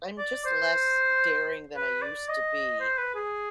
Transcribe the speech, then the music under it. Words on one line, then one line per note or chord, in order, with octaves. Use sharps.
I'm just less daring than I used to be.
D5
C5
B4
D5
D#5
C5
B4
G#4